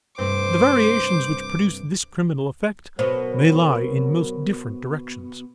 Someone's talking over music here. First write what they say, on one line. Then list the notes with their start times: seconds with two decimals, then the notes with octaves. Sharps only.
The variations which produce this criminal effect may lie in most different directions.
0.19 G2 C3 A3 C5 D6
2.99 B2 F#3 A#4 C5